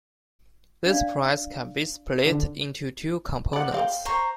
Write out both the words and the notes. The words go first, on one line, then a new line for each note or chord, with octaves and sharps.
This price can be split into two components.
D4 D5 F5
D3
D5 F#5
C4 F5 G5
C5 A#5 C#6